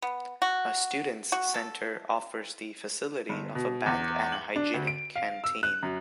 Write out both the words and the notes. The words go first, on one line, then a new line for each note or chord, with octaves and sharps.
A Students' Centre offers the facility of a bank and a hygienic canteen.
B3
F#4
F#4
A4
G1
B2
E2
F#7
D4
D2
D7
F5
E6
F#6
F#2